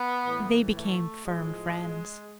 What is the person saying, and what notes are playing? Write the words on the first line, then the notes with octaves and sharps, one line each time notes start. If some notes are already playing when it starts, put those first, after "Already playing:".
They became firm friends.
Already playing: B3
A2 E3
A3
A2 F3 G#3